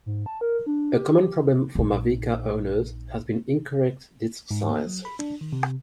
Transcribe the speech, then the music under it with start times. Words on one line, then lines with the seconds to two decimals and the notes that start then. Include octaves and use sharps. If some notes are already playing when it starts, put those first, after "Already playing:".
A common problem for Mavica owners has been incorrect disc size.
0.06 G#2
0.26 A5
0.41 A#4
0.66 D4
0.94 G4
1.75 A#1 D#4
4.51 G#2
4.69 A#3
4.87 F#3
5.05 B5
5.19 D4
5.41 D#3
5.53 C3